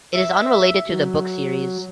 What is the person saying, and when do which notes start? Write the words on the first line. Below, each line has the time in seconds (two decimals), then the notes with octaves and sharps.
It is unrelated to the book series.
0.14 E5
0.89 F#3